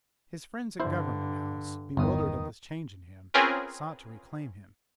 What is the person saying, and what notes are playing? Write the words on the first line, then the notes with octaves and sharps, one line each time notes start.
His friends at Government House, bewildered at this change in him, sought to reclaim him.
G2 D3 E4 C5
G1 E2 D#3 B3 D#6
C4 C#4 F4 G#4 A#4 B4